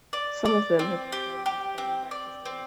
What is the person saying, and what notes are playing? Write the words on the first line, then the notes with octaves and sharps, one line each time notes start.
Some of them have been turned into bed and breakfast inns.
D5
D5
C4
G4
G4
C4
D5
C4